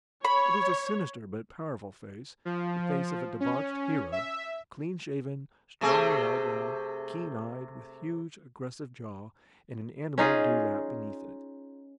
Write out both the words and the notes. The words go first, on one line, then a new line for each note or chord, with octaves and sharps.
It was a sinister but powerful face, the face of a debauched hero, clean-shaven, strongly eye-browed, keen-eyed, with huge, aggressive jaw, and an animal dewlap beneath it.
C#5 B5
F3
C#4
E5
C3 A3 G#4
C#4 D#4 F4 G#4